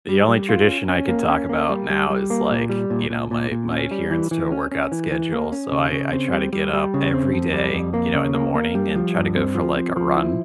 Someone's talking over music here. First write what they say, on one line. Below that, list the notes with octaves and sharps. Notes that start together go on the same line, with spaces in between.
the only tradition I could talk about now is, like, you know, my my adherence to a workout schedule, so I I try to get up every day, you know, in the morning and try to go for, like, a run,
G3
G3
F4
C#4
C#4
A#3
C#4
A#3
G3
G3
G3
A#3
A#2
G3
A#2
A#2
A#2
A#2
C#4
G3
E3
E3
C#4
C#4
E3
E3
A#3
C#4
C#3
C#3
C4
G3
G3
G3
C#3
C4
F2
G3
F2
A#3
C#3
A#3
A#3
G3
F3
G2
C4
F3
C4
F3
E4